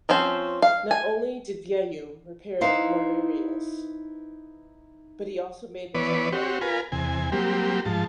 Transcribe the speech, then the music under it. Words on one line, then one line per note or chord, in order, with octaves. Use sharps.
Not only did Vuillaume repair the Guarnerius, but he also made an exact replica.
F3 C4 C#4 C5
F5
G#5
D#4 E4 B4 C5 E5 F5
E3 B3 B4 C#5 D5
C4 F#4 G4 C#5
F4 A#4 B4 G#5
E2 C3 G#5
F#3 G3 A#3 C4 G4
G#2 F3 A5